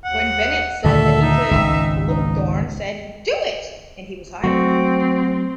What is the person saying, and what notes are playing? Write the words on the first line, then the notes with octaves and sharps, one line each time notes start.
When Bennett said that he could, Bluhdorn said "do it" and he was hired.
D#2 F#5
D2 A#2 D#3 A4 E5
D#4
G#1 C#2
D#4
F#3 A3 C4 F#4